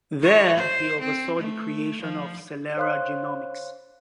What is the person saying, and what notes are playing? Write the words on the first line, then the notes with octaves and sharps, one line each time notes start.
There he oversaw the creation of Celera Genomics.
C#5
C5
C4
A3
F3
C5 C#5 F5 C6 F#6